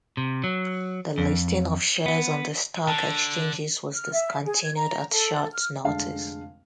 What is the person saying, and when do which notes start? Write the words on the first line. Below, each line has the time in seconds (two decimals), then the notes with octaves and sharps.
The listing of shares on the stock exchanges was discontinued at short notice.
0.17 C3
0.44 F#3
1.18 F2
2.06 B3
2.88 D3 A5
3.94 F6
4.12 E5
4.45 G#4
4.61 G#6
4.75 A#5
5.11 A4
5.52 F6
5.84 F1 D3 G#3 F5 A5